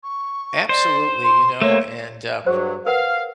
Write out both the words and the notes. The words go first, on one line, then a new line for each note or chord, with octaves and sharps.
Absolutely, you know, and, uh,
C#6
C5 D5
C6
A3 A#3 C#5
G2 F#3 G#4 C5
A#4 B4 F5 F#5